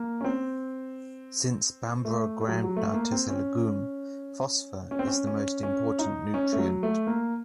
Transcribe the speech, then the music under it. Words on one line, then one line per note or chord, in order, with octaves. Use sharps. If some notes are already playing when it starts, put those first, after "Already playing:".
Since Bambara groundnut is a legume, phosphor is the most important nutrient.
Already playing: A#3
C#4
C4
A3
A3
F#3
F#3
A3
A#3
C4
C#4
C#4
C4
C#4
C#4
C#4
D#4
C#4
A3
F#3
A3
A#3